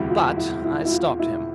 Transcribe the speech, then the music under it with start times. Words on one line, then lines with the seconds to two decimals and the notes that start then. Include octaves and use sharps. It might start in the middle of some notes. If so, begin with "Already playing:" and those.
But I stopped him.
Already playing: E1 D2 C3 E3 G3 E4
0.10 F4
0.37 E4
0.65 E4
0.85 E4
0.92 F4
1.19 E4